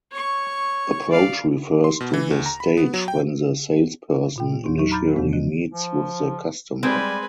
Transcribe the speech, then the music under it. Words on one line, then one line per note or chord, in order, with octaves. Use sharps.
Approach-Refers to the stage when the salesperson initially meets with the customer.
C#5 C#6
D5 F5
C6
B2
E3
D2
A#5
B5
B3
F#3
G5
A#2 F4 G5
E2 D4 D#4
F#3 D#4
A#5 B5 D6 F6 G6 A6
E2 C3 D#3 E3 B3
F3
F3
G3 G#3 C4 B4 C5 G#5